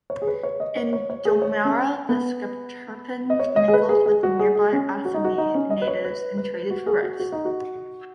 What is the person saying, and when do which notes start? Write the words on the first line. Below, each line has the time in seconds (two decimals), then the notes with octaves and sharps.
In Doimara, the Sherdukpens mingled with the nearby Assamese natives and traded for rice.
0.10 C#5
0.22 G#4
0.28 B4
0.43 C#5
0.60 D#5
0.77 C#5
0.93 C#5
1.10 C#5
1.25 G#4
1.42 C#5
1.65 C#4
2.09 B3
3.30 D#5
3.40 C#5
3.56 D#5
3.68 G#4
3.73 B4
3.89 G#4
4.06 G#4
4.23 F#4
4.39 G#4
4.55 G#4
4.73 C#4
5.05 F#4
5.14 D#4
5.24 F#4
5.38 D#4
5.55 C#4
5.70 D#5
5.82 B4
5.88 C#5
6.04 B4
6.37 B4
6.70 F#4
6.86 G#4
7.03 F#4
7.20 F#4
7.32 D#4
7.45 F#4